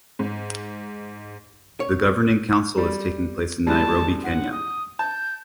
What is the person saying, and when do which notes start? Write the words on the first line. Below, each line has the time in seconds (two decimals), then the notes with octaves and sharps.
The Governing Council is taking place in Nairobi, Kenya.
0.19 G#2
1.80 C#5
2.78 G3
3.67 A2 G3 G#3 A5
4.24 F#5
4.52 D#6
4.99 A5 G6